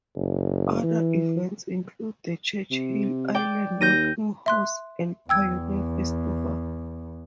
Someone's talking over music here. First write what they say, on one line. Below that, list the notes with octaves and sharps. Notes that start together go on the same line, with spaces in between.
Other events include the Churchill Island Working Horse and Pioneer Festival.
F#1
E3
C3
D5 G5
D#2 G6 A#6 D#7
E5 C6 F#6
E2 G5 E6 G#6